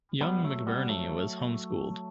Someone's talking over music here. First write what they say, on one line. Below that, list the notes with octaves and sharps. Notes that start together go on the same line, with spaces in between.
Young McBurney was home schooled.
G3 B3
F#3 A3
G3 B3
F#3 A3